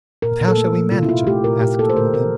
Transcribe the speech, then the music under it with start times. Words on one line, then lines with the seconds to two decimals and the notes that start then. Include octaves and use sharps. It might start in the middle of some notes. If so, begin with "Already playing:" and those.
'But how shall we manage it,' asked one of them.
0.22 A#2 A#4
0.40 A#2
0.48 A4
0.57 A3
0.75 A#3
0.92 C3 F4
1.03 E4
1.09 C3 F4
1.27 A3 G4
1.44 A#2 A#4
1.61 A#2 G4
1.79 A#3 A4
1.90 C5
1.97 D3 A#4
2.13 D3 A#4